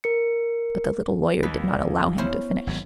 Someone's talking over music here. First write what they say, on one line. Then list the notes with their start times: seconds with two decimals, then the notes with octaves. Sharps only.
But the little lawyer did not allow him to finish.
0.04 A#4 C#7
1.43 D#2 D#3 B4
1.69 D5
1.93 F4
2.18 B3 C#4 E4 C5
2.67 G#1 F#3